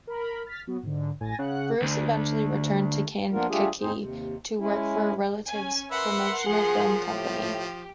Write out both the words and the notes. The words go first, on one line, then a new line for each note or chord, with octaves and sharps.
Bruce eventually returned to Kankakee to work for a relative's promotional film company.
A#4 B5
F6 A6 B6
F#3 B3 F#4
G#2 D3
A1 G#5 A6 A#6
C#3 F#5 F#6
D2
F3 A#3 B3 D4 F4 A#4
G3 A3 D4 F4 G4 G#4
D#2 C4 D#4 G#4 C5
D#2 C3
G#3 C#4 E4
C#4 G#5
A#4 B4 E5 F#5 C6
F3 G#4
A2 G4